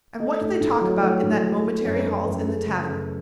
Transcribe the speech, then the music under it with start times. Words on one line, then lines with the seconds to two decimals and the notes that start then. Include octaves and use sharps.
And what do they talk about in that momentary halt in the tavern?
0.19 A3 D#5
0.41 A2
0.60 A2
0.81 F#3
1.02 A3 C#5
1.23 A2
1.44 A3
1.64 A3
1.85 F#2 C#5
1.96 B4
2.05 F#2 C#5
2.26 F#2 B4
2.36 A4
2.46 F#2 G#4
2.67 C#3 A4
2.88 F#2